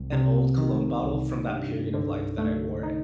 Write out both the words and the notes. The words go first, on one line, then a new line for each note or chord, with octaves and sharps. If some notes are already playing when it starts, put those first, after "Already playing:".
an old cologne bottle from that period of life that I wore it.
Already playing: C2
C3
D#3
C2
G2
D3
A3
D#4